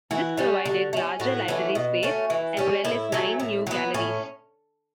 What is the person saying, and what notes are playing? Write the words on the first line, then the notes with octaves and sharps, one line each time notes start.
This provided larger library space, as well as nine new galleries.
E3 F#4
G3 C#4
D3
A3
C#4
A2 F#4
E3 A3 C#4
B2
A3 C#4
E3
G3 C#4
A2 E4
F#3 A3 C#4
A2
F#3 B3
A2 C#4